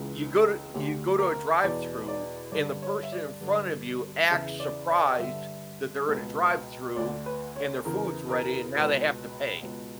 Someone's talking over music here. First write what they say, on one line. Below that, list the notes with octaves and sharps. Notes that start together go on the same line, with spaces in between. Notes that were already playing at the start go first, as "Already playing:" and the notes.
you go to you go to a drive-thru and the person in front of you acts surprised that they're at a drive-thru and their food's ready and now they have to pay.
Already playing: C#2 C#3 E3
D2 D3 G4
A#4
E2 B2 D5
D5
G2 D3 D5
C#5
E5
D5
G2 D3
E2 C#3 E3 E5
D5
D5
G2 D3 E5
C#2 B2
D2 D3 D5
B4
C#5
E2 C#3 E3 A#4
A#4
C#2 B2 B4
C#2 B2